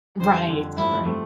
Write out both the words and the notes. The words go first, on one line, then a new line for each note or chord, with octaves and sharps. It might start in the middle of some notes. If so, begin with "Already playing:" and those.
Right, right.
F2 D3 G3 C5
F2 D3 G3
G2 F3 A3 C4 E4
F3 A3 C4